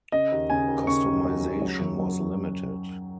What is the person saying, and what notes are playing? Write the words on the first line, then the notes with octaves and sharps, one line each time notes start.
Customization was limited.
C#3 D#5
D#2
C#3 G#5
D#2
C#3 C#6
D#2
F#3
C#3
F#3
F#2
F#3